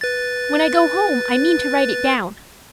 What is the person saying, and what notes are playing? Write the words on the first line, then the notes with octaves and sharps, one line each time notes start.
When I go home I mean to write it down.
B4 A6